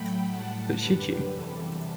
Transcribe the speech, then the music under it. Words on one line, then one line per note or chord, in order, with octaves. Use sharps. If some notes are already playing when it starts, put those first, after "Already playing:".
But should you?
Already playing: A2 F#3 A3 G5 B5
A2 G3 F#5 A5
F#2 D3 G3 G4 B4
E2 C3 E3 G3 A4